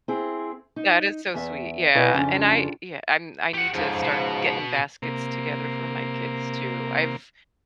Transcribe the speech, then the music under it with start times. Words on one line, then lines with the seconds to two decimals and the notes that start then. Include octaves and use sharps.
that is so sweet. Yeah, and I, ye I I need to start getting baskets together for my kids, too. I've
0.08 C4 E4 G#4
0.76 D#4
1.34 E2 E5
1.95 B2 E4 B4 D5 D#5
2.14 F2 C#3 C#4 D4 F4
3.54 G4 F#5
3.73 F2 G#2 C#3 F3
4.03 B2
5.02 C3 A#3